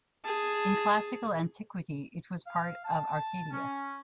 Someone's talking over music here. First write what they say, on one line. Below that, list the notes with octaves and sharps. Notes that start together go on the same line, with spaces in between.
In classical antiquity, it was part of Arcadia.
G#4 A5
F5
A5
C#4